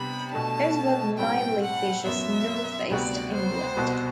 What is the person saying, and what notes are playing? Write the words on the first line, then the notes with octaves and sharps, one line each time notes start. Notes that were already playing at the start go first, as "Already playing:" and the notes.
His work mainly features North East England.
Already playing: C3 G3 B3 D4 G4 B5
B2 A3 D4 A5
A2 G3 C4 G5
F#5
F#2 F#3 B3 E5
D2 C3 G3 B3 F#4 D5
C5
C2 B2 G3 B3 F#4